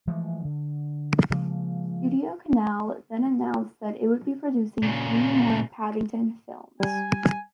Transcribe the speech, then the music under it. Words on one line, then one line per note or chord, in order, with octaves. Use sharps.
StudioCanal then announced that it would be producing three more "Paddington" films.
E3 F3 G#3 A3
D3
C#3 F3 G#3 A#3
A#2 C#3
G3 G#5